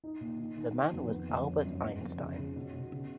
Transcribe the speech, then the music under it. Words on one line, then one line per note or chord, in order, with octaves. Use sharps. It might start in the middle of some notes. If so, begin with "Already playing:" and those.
The man was Albert Einstein.
D#4
A#2
D#3
D#3
B3
F2
B3
F2
C#4
F#2
B3
F2
C#3
C#3
B2
B2
C#3